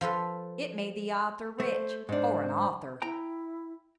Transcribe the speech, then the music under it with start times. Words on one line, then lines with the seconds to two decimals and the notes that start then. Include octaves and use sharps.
It made the author rich--for an author.
0.01 F3 F4 A4 B4
1.60 A3 C5
2.09 G#2 D4 C5
3.02 E4 G5 A#5